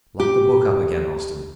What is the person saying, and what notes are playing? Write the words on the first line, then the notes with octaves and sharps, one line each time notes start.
Lock the book up again, Austin.
G4